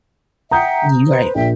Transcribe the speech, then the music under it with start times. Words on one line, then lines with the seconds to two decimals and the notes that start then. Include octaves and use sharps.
You right.
0.51 E5 F#5 G5 A#5 D#6 G6
1.07 B4 C5
1.35 A#1 A#2 E5 G5